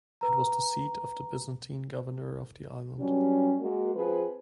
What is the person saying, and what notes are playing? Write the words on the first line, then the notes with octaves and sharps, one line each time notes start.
It was the seat of the Byzantine governor of the island.
B4 A#5
G2 F#3 G3 C#4
G#3 A#3 F#4
F3 C4 G#4 B4